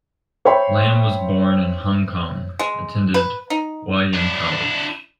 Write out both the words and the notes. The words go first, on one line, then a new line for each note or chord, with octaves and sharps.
Lam was born in Hong Kong attended Wah Yan College.
C5 C#5 E5 G5 B5 C6
G#3
B4
D#4
D4 E4